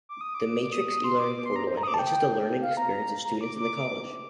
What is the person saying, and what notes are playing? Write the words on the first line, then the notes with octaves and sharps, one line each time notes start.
The Matrix E-learning Portal enhances the learning experience of students in the college.
D6
D#6
D6
D6
D#6
D#6
C6
D6
D6
C6
A#5
C5
A#5
D#6
D6
A5
G5
F5
A#5
A#5
D6
D6